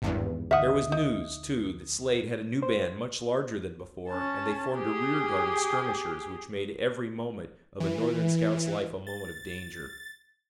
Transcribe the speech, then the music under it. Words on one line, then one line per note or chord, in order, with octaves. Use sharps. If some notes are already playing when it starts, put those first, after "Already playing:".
There was news, too, that Slade had a new band much larger than before, and they formed a rear guard of skirmishers which made every moment of a Northern scout's life a moment of danger.
G#1 E2 G2
D2 D#3 E5 F#5 D#6
D#4
C5
C#4 A5
G4 G#4
E3
A6